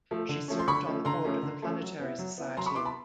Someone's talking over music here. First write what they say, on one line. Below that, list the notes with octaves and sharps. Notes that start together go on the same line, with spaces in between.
She served on the board of The Planetary Society.
F3 A3
D3
F3 A3 C#4
C6
D3 B5 C#6
F3 A3 C#4
D3 A#5 C6
F3 A3 C#4
D3
F3 A3 C#4
F#3
B3 E4
F#3
B3 E4
F#3 A#5 C6
B5 C#6
B3 E4 C6 D6
A5 B5